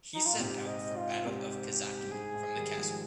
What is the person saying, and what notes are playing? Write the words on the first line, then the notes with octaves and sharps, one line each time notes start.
He set out for Battle of Kizaki from the castle.
D#4
F4
A#2
G#2 C3 G4
D#5
F4
G#2 C3 G4
G2
G#2 G#4
G#2
D#3 G3
F3 G#3